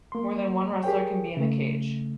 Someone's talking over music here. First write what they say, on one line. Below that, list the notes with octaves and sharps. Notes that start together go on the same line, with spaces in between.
More than one wrestler can be in the cage.
A#3 C6
G4 G#4 A#4 C#5 G5
C#3 A3